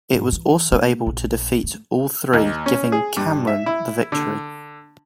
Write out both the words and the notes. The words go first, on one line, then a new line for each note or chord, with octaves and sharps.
It was able to defeat all three, giving Cameron the victory.
G#2
E3
A#3
A#1
A3
D#2
C#4
G#4
G2
E5
E4
D3